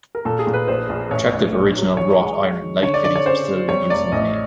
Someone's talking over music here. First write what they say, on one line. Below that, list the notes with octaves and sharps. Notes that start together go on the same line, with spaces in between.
Attractive original wrought iron light fittings are still in use in the nave.
A#4
A#2 A4
G#4
A#2
B4
A#1 C5
A#1
A1 C#5
A1
A#1
F#3
E3 C#5
G#3
F#3
D#3
D3 C#5
D5
D3 D5
C#5
C#3 C5
C#3
G3 C#5
F1 D5
A1 D#5